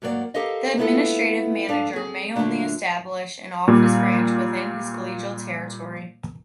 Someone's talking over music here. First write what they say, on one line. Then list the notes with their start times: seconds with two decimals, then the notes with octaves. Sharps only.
The administrative manager may only establish an office-branch within his collegial territory.
0.02 G#2 F#3 A#3 B3 D5 F#5
0.34 G4 A4 A#4 C5 D#5 F5
0.78 G#3 A#3 B3 E4 F4 A4
1.68 G#2 D4 A4 F5 A5
1.93 C4 G#4
2.36 A#2 D3 F#3 G#3 A3 D4
3.68 A#2 G3 A#3